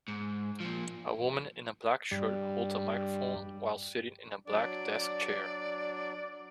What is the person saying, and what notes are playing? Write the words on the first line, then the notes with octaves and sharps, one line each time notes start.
A woman in a black shirt holds a microphone while sitting in a black desk chair.
G#2
A#2 F3
G2 G3
F#3 D4 D5